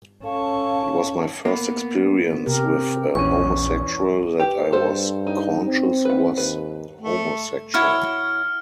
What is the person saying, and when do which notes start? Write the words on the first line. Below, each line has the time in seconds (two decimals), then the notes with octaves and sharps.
It was my first experience with a homosexual that I was conscious was homosexual.
0.24 C#4 A4 F5 A5 C#6
1.45 A#3 B3 B4
2.46 C3 G4 A#4
3.15 A#1 E2 C#4 C#6 D#7
4.40 G4 B4
4.72 G2 A4 C5
5.27 D#4
5.66 C4
6.05 B4 F#5
6.38 D#2 B4
7.01 A3
7.74 E4 F#4 C#5 F6